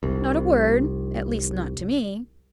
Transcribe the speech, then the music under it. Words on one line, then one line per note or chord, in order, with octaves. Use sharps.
"Not a word--at least not to me."
F1 C2